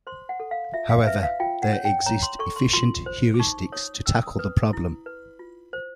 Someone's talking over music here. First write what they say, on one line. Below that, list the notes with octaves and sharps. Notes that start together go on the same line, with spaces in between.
However, there exist efficient heuristics to tackle the problem.
C5 C6
F#5
A4
F5
F4 E5
F5
B4 E5
F5
F4 G5
F#5
C#5
G5
C#5 A#5
C6
A4 C#6
C6
F4 C6
C5
D6
D#4 C#6
C#5 D#6
C#4 E6
D#6
B4 D#6
D#6
E4
B4
F4
C5